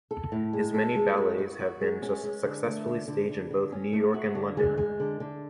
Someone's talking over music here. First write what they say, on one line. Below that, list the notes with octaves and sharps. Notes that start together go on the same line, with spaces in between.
His many ballets have been successfully staged in both New York and London.
A4
A2
G#3
A4
G#3
F#4
F#4
F#4
G#3
C#4
G#3
D3
A3
D3
D3
D3
D3
C#4
A3
F#4
D3
G#3
G#3
D3
D3